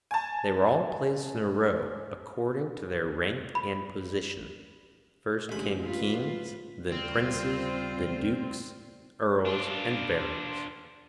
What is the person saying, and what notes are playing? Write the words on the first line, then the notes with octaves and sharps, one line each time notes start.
They were all placed in a row, according to their rank and position. First came Kings, then Princes, then Dukes, Earls, and Barons.
G#5 A5
B5
A1 D3 G#3 B5
F4 B4
D#2 C#3 G3 C4 F4 C5 F6
D4 F4